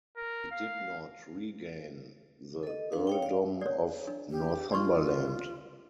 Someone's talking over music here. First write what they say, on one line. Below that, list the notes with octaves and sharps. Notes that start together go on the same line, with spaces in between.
He did not regain the earldom of Northumberland.
A#4
F5
A4 D#5
D4 B4 F5
C#5 F5 G5
D5 F5
C#5 D5
D4
G4
F4 D5 C6 C#6